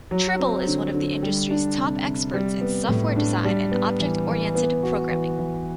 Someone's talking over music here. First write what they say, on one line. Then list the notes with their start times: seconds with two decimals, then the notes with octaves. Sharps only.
Tribble is one of the industry's top experts in software design and object-oriented programming.
0.11 F#3
0.40 C4
0.67 D3
0.94 D3
1.23 G3
1.51 D4
1.78 C3
2.05 C3
2.34 G3
2.61 B3
2.89 A2
3.16 D4
3.45 G3
3.72 B3
4.00 E3
4.28 E3
4.55 B3
4.83 F#4
5.11 E3
5.38 E3